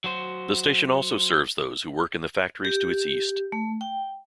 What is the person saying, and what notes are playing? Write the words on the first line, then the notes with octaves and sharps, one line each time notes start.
The station also serves those who work in the factories to its east.
F#3 F#4 C5
G4
A3
G5